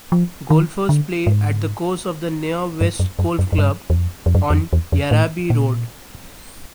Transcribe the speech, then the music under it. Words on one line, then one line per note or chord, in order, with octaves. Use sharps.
Golfers play at the course of the Nyah West Golf Club on Yarraby Road.
F3
D#3
D3
G#2
G2
F#2
F#2
F#2
F#2
G2
E2
F2
F2
F#2
E2
F2
E2
F2
A2
A#2